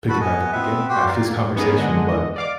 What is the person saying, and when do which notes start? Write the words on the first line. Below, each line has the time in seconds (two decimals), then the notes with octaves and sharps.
pick it back up again after this conversation, but
0.09 F#4 A4 B4 B5
0.21 B3 D#5 F#5 G#5
0.52 B3 C4 B4 E5
0.89 F#4 G4 G5 C6
1.07 A#4 D5 F5
1.56 B3 C#4 D#4 G#4 A#4
1.77 D3 G#3 D#5 F#5
2.09 D#5
2.36 D5 F5 D6